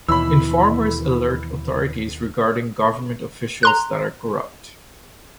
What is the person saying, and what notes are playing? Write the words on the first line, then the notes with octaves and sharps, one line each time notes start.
Informers alert authorities regarding government officials that are corrupt.
D#2 B2 E3 B5 E6
A#5 C6 F#6